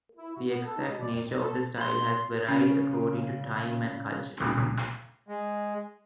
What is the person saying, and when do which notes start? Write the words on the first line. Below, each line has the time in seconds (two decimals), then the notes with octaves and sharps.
The exact nature of the style has varied according to time and culture.
0.17 E4
0.34 F#4
0.48 B3
0.65 A4
0.77 D#4
0.89 B2
1.01 D5
1.13 F2
1.28 B2
1.40 A4
1.78 B5 C6
2.48 C#3 C#4
5.28 G#3